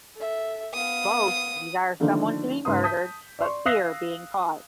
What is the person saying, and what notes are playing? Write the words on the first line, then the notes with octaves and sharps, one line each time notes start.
Both desire someone to be murdered but fear being caught.
A4 E5
B3 F5 D#6
D3 D#3 F3 A3 A#3 D4
G#2 C#3 B4 C6 D#6
A5 D#6 G6 B6
D5 C6 C#6
F5 D#6 E6 F#6 A#6 C7